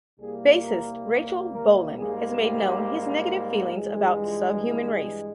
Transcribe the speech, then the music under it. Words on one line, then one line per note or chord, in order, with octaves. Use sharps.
Bassist Rachel Bolan has made known his negative feelings about "Subhuman Race".
C2 C3 G3 A#3 G#4
A#4
A#4
G#2 G3 A#3 G#4
G4
G2 E3 G#3
F4
E4